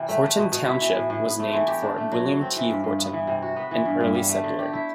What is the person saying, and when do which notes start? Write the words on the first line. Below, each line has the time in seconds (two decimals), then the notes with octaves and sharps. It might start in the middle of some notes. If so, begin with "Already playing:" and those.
Horton Township was named for William T. Horton, an early settler.
Already playing: C3 E3
0.09 A3
0.24 A3
0.38 B2
0.52 B2
0.66 E4
0.81 E3
0.96 A2
1.10 A2
1.25 B3
1.40 A3
1.54 E3
1.68 G4
1.82 D4
1.97 A3
2.12 F#3
2.27 F#4
2.41 C4
2.56 E3
2.70 G2
2.84 G2
2.99 B3
3.13 E3
3.27 C3
3.42 F#4
3.56 B3
3.71 E3
3.85 G2
4.00 G2
4.14 G3
4.29 A3
4.44 D3
4.59 G4
4.73 E4